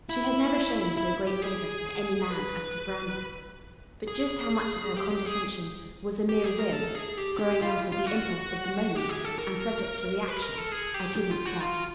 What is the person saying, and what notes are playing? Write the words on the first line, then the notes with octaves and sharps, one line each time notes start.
She had never shown so great favor to any man as to Brandon, but just how much of her condescension was a mere whim, growing out of the impulse of the moment, and subject to reaction, I could not tell.
E4
E4
G4
G#4
B4
G#4
G4
G4
G#4
G4
G#4
A#4
A4
G#4
G4
G4
F4
F4
F#4
G4
G#4
A4
A#4
B4
A#4
A4
G#4
G4
G4
F4
F#4
F4